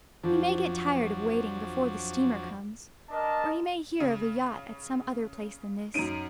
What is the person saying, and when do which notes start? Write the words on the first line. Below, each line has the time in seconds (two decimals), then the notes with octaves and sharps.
He may get tired of waiting before the steamer comes, or he may hear of a yacht at some other place than this.
0.24 F2 F3 F#3 D4
3.09 D4 A#4 D#5 A5
4.00 C#3
5.94 F#2 C#4 D#4 D7 D#7